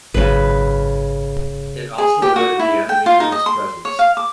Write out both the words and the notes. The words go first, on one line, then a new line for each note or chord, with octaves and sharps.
It also alerted the enemy to his presence.
G#1 F#2 C#3 F#3 B4
G#4
G4
F#4
E4
G5
F4
D#4
D#5
C6
C#5
F5
D6